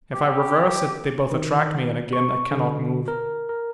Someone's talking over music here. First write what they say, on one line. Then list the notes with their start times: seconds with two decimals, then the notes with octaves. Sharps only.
If I reverse it, they both attract me, and again I cannot move.
0.14 G4
1.32 D#3
2.13 C#6
2.51 D3
3.08 A#4
3.49 A#4